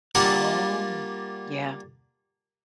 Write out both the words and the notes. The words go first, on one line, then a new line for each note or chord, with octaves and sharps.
Oh yeah,
G3 A#3 D4 F4 A#4 F#5